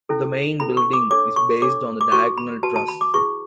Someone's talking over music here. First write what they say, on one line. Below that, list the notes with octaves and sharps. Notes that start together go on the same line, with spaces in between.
The main building is based on the diagonal truss.
C#4 E4 A4
C#4 E4 A4 B5
C#6
D6
D4 A4 C#5 D6
C#6
D4 A4 C#5 D6
D6
F#4 B4 C#6
B5
F#4 B4 A5
A5
B5
D6
E4 G#4 B4 C#6